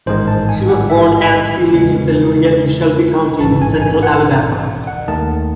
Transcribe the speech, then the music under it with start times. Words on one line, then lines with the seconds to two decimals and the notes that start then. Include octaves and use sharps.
She was born Ann Steely in Siluria in Shelby County in central Alabama.
0.06 A1 G#2 D#3 G#3 C5
0.28 A5
0.49 G#5
0.69 F#5
0.90 E5
1.17 D#5
1.46 G#5
1.73 E2 C#3 E3 G#3 C4
3.41 A1 G#2 E3 A5
3.62 G#5
3.82 G#5
4.03 F#5
4.87 F#5
5.08 D#2 D#3 A3 A5